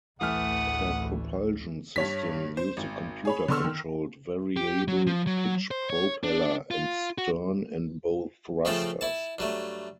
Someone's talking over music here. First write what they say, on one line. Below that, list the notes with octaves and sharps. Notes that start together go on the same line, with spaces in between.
Her propulsion system used a computer-controlled variable-pitch propeller and stern and bow thrusters.
A1 D2 E3 A3 F#5 D#6 F6
G2 C#5 B6
C5
G#1
G#4 C#5 B5
D3 B3 C6 C#6 E6 F6
D#3
G4
F#3
F3
F#3
C5
C#5
D4
F4
F#4
C#3 F3 A3 C4 A4
E4 A5
G2 F#3 A3